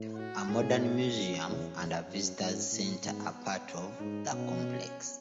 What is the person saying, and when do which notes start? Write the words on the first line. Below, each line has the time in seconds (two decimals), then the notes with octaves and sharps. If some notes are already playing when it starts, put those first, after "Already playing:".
A modern museum and a visitors center are part of the complex.
Already playing: A2
0.16 F#4
0.48 A2 G#4
0.81 C#4
1.13 F#2
1.45 E2
1.76 E2 C#4
2.08 F#2
2.40 G#2
2.72 A2
3.04 G#2 B3
3.36 B3
3.67 C#4
3.99 G#2 D#4
4.31 B2 C#4